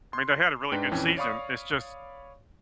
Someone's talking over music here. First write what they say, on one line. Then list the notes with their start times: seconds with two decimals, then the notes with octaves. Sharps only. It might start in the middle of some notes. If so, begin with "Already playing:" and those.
I mean, they had a really good season, it's just
0.13 C6
0.72 G#2 D4 B4 G5
0.91 A#1 F2 E3 C#4 G5
1.17 C#5 D5 F5 B5 C#6 D#6